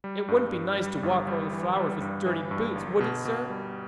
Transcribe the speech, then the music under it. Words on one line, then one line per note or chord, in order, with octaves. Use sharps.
"It wouldn't be nice to walk over the flowers with dirty boots--would it, sir?"
G3
G2
G2
G3
G1
G3
E3
G3
G2
E3
G2
G1
B2
B2
G3